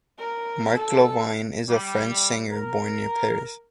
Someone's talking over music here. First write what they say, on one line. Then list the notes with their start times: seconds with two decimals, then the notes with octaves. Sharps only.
Marc Lavoine is a French singer born near Paris.
0.19 A#4
0.76 A4
1.68 G3
2.50 A#4